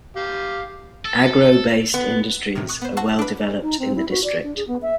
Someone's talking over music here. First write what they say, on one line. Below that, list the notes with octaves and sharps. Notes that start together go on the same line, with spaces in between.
Agro-based industries are well developed in the district.
G4 F5
A4
B3
A2 C3 D#3
C#6 D#6 F#6
B3 C5
F#4 F#5 A5 C6 C#6 E6
D4 B4
D#4
C4
E4
F#4
D5
D4
G#4
B3
E5